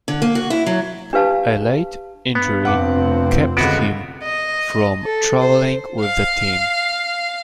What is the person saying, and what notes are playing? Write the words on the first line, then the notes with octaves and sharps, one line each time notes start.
A late injury kept him from travelling with the team.
D3
A#3
F#4
E4
F#3
D4 G4 B4 F5 A5
G2 B3
F1 G2 C4 F#5 D6
C#2 D3 B3 F#4 D7
D#5
A4
C5
F5